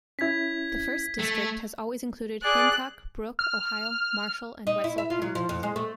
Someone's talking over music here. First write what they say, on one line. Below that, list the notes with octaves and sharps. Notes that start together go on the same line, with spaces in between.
The First District has always included Hancock, Brooke, Ohio, Marshall, and Wetzel counties.
C#4 E4 G#6 B6
A3 B6
G#4 D5 F#6
F6
D#4
E4
E5
F4
F#3
F3
F2
G#3
A3